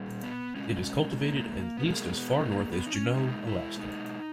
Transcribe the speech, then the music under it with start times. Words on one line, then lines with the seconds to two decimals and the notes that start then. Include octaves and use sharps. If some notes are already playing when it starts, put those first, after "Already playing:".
It is cultivated at least as far north as Juneau, Alaska.
Already playing: A#2 G3
0.24 B3
0.56 B2 G#3 C#4
1.21 A#3
1.77 B3
1.85 B2 G#3 A#3
2.17 B3
2.50 A#3
2.72 B3
2.86 D#4
2.93 C#4
3.14 B2 G#3 D#4
3.47 E4
3.79 D#4